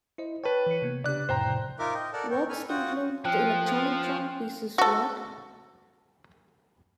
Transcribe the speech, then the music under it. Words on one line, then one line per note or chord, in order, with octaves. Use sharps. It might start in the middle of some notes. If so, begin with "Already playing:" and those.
Works include the electronic drone pieces What??
E4 C5 D#5
B4 C#5 G5 A5 F#6
E3 C#7
C3 A#3 B3
C#3 D4 G4 D5 F#6
F2 A2 C3 C5 G5 A#5
D#4 F4 A#4 E5 D6
D#5 G5
A4 A#4 D5 F#5 A5
C#5 G5
A4 G#5 B5 F6
F4 F#4 F#5 G5 D#6
F3 G5 F#6
F#4 A4